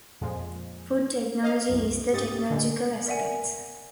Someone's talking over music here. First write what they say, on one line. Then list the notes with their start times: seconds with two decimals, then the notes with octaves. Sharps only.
Food technology is the technological aspects.
0.21 F2 A#2 F3 G#3
1.43 D#5 F5
1.69 C2 F#2
2.13 G#2 G4 D#6 A6
2.50 A#2 D3 G#3
3.06 A#4 D5 E5 F#5 G#5